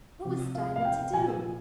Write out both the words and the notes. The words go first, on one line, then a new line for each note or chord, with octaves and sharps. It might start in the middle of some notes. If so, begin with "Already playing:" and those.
What was Diamond to do?
C3 F3
F5
F5
G5
A#2 F3 G#5